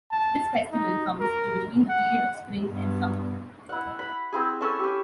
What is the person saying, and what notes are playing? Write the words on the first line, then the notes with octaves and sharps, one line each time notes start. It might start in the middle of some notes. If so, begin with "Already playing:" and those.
This festival comes to between the period of spring and summer.
A5
D#4
A#4
F#5
G2 B3
E4 F#5
B5
C4 E4 G#4
C#4 A4 E5
C#4 G4